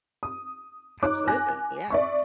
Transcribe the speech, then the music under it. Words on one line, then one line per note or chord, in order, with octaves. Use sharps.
Absolutely, yeah.
D#6
D#4 C#5 D6 F#6
G#5 F#6 A#6
D5 E5 C#6